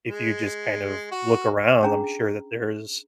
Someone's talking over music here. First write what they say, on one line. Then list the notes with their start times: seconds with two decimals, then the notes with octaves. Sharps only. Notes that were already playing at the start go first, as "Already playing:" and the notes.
if you just kind of look around, I'm sure that there's
0.08 G#3
1.12 F#4
1.83 C#4 D4 G#4 A#5